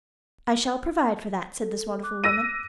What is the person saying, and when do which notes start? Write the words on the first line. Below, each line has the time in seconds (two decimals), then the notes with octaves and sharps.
"I shall provide for that," said this wonderful woman.
1.62 A4
2.03 D6 F#6
2.24 E6 A#6 D#7